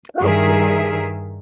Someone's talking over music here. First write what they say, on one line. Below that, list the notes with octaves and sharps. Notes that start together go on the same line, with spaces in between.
Oh, cool.
G2 D#3 G#4 A#4 E5